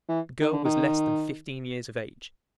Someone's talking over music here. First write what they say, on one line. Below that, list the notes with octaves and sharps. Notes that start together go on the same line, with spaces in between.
The girl was less than fifteen years of age.
E3
D#3
D3
D#3